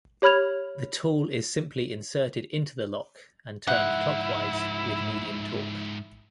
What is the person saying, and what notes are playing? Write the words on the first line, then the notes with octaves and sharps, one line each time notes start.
The tool is simply inserted into the lock and turned clockwise with medium torque.
G4 C#5 B5 F6 G#6 F7
G#2 F3 E4 E5 F#5